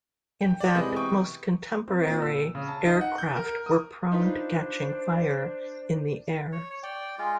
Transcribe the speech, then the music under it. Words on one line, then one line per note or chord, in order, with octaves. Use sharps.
In fact, most contemporary aircraft were prone to catching fire in the air.
G5
D5
C3 E3 G#3 B3 D#5 G6
G5 C#6 D#6
C4
A#2
E6
C#3
A5
D#4
F#5
G6
A#4
D#6
D4 D#4 F4 B4 C5
C#5
C#5
D5 G5
G#3 F4